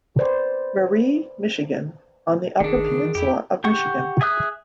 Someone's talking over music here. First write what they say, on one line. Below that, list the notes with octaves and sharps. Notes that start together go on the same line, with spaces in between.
Marie, Michigan on the Upper Peninsula of Michigan.
B4 C5 D5
F1 D#3 D4 G#4
G1
C#3
E3
F2 E4 G4
G4 F#5 C#6
G#4 E5 D#6 F#6